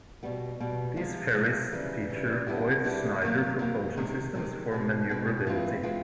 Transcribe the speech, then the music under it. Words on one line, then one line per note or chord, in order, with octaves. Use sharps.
These ferries feature Voith-Schneider propulsion systems for manoeuvrability.
B2 G3 B3
B2 G3 B3
C3 F3 G#3
C3 F3 G#3
C#3 E3 G3
C#3 E3 G3
D3 G3 B3 E4 G4
D3 G3 B3 E4 G4
D#3 F#3 A#3
D#3 F#3 A#3
C3 D#3 G#3 C4
C3 D#3 G#3 C4
B2 G#3 C4
B2 G#3 C4
E3 G#3 C4 F4
E3 G#3 C4 F4